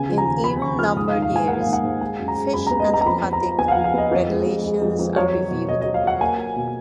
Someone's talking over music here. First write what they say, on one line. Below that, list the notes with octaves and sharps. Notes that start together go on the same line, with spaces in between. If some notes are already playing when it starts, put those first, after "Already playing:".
In even-numbered years, fish and aquatic regulations are reviewed.
Already playing: C#3 B3 G#5
F3
A#5
D#2
F3 B5
C#3 C#6
F3 F6
G#2 D#6
F5
D#3
F5
G#2 G#5
A#3 F#5
F5
G#2
F#5
G#2
G#3 G#5
F#2
A#5
G#3
F#2 B5
B3 A#5
D#5
B3 A#5
A#5
F2 B5
B3
A#5
F3
B3 G#5
F5
F3 F#5
F5
B3 D#5
F2
G#3
F2
G#3
F2
F2
F#3 C#5
F#3
B2
B2 D#5
F#3 D#5
F5
F#3 F#5
A#3 G#5
A#3
B2